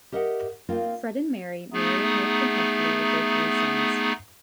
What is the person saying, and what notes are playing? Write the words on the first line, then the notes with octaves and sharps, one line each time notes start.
Fred and Mary marry and live contentedly with their three sons.
G4 A#4 D#5 E5 F#5
A#3 C4 D#4 F4 A#4
A3 B3 D#4 G#4